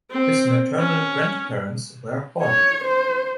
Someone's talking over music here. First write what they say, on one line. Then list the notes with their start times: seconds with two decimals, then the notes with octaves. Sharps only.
His maternal grandparents were Hon.
0.11 C4
0.79 C#4
2.43 C#5
2.84 C5